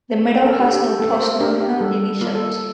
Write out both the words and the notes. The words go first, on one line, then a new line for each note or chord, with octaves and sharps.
The medal has no post-nominal initials.
A3 A4
A#4
A4
G4
D4 A4
G4
A3 A4
C5
A#4
D4 G4 A#4
G4
G3 A4
A#3 F4
A4